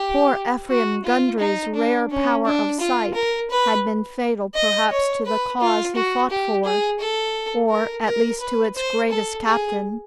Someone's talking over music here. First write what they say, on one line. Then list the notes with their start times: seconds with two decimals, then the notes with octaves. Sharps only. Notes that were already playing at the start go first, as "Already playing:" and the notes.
Poor Ephraim Gundry's rare power of sight had been fatal perhaps to the cause he fought for, or at least to its greatest captain.
Already playing: G4
0.70 F#4
1.05 F4
1.39 D#4
1.75 D4
2.10 C#4
2.45 D4
2.80 F4
3.14 A#4
3.50 B4
4.55 D#5
4.91 C#5
5.26 B4
5.61 F4
5.96 F#4
6.30 G4
6.65 G#4
7.00 A4
7.70 A#4
8.05 A#4
8.40 B4
8.76 C5
9.11 A4
9.46 G#4